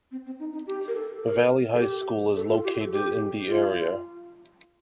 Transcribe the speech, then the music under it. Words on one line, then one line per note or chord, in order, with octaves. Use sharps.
Valley High School is located in the area.
C4
C4
D#4
D#4
G4
A#4
A4
A#4
A4
G4
A4
F4
G4
A4
G4
F4